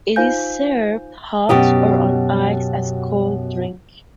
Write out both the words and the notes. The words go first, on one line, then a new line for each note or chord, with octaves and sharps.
It is served hot, or on ice as a cold drink.
D#4 F4 C5 F5 G#5 G6
F#2 B2 G4 D#5